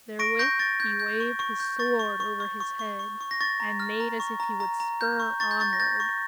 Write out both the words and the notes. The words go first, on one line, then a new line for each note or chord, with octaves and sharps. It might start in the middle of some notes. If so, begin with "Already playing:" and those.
Therewith he waved his sword over his head, and made as if he would spur onward.
C#6 A#6 D7
C#6 G6 A#6
C#6 A6
G6
G6
C#6
C#6
G6
C#6 A6
C#6
C#6
C#6
C#6
C#6
C#6
C#6
A#6
C#6 A6
A#5
F6
A#5
C#6
A#5
A#5
A#5
G6
C#6
C#6 A6
G6
C#6 A6
A#6
G6 A6
C#6